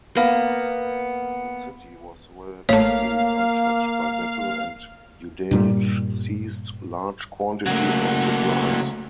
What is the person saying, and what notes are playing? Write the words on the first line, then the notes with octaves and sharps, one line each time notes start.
The city was relatively untouched by battle and Yudenich seized large quantities of supplies.
A#3 B3
A1 A3 A#3 C#5 F5
G2 A#2 G3
C#3 F#3 A3 A#3